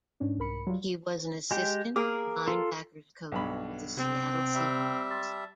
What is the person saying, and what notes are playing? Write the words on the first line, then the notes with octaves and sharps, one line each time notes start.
He was an assistant linebackers coach with the Seattle Seahawks.
G#2 C#4 D4
C2 G#2 A#4 B5 C#7
F#3 G3 F4
G#3 G4 G5
A#3 G#4 A#4 D6
F4 A4
B1 G2 B5
C3 C4
G3 E5
A5 C6